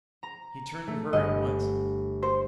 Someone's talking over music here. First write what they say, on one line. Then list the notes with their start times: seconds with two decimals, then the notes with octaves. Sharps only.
He turned to her at once.
0.23 A#5
0.87 A3
1.13 G1 D#5
2.23 C5